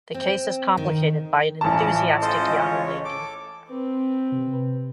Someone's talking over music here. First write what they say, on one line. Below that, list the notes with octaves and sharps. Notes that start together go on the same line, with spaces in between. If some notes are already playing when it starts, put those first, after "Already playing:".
The case is complicated by an enthusiastic young lady.
C4
D#3
A1 C#3 F3 C#4 A5
G#3 C#4 F4 A4 C5 D#5
C#5
A4 D6
C4 B4
C3